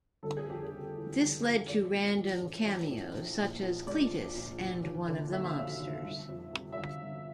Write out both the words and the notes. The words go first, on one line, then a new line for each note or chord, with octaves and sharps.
This led to random cameos such as Cletus and one of the mobsters.
G1 A4
G#4
F2 G4
G#4
C#3
E3
G1
F2
A1 D5
A2
F3
A1
A1
A2
A#1
A#2
F3
G#3 D5
A#1
A#2
F1
D#2
D3
F#3 E5
F5
F1 E5
D#2
G1
F2
C3
E5
G1 F5
G1